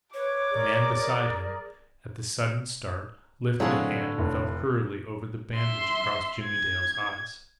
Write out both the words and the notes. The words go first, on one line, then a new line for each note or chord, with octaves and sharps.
The man beside him, at the sudden start, lifted a hand and felt hurriedly over the bandage across Jimmie Dale's eyes.
B4 C#5 D6
G#4 A#4 D5
A2 D3 F#3 C4 G#4 F5 F#5
F1 A2
E5 C6
G#6